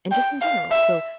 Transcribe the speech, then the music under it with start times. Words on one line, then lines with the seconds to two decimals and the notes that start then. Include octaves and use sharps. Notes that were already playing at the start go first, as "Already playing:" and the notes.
and just in general, so
0.11 G5
0.41 F5
0.71 E5